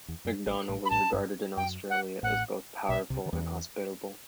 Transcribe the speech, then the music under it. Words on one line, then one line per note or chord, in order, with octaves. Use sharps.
MacDonnell was regarded in Australia as both 'powerful and hospitable'.
E2
F#2
A1 A2
A1 A2
B5
A1 A2 A5
G1 G2
F#2 G5
F#5
A1 A2 F#5
B1 B2 E5
C2 C3
D#3
E2 E3